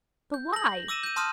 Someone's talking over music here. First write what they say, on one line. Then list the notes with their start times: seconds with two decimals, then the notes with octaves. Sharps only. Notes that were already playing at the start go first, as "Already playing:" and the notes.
"But why?"
0.34 G6
0.53 A#6 F#7
0.88 D6 E6 A#6 D#7 E7
1.03 G6 D#7
1.16 A5 C6 D#6 F6 D#7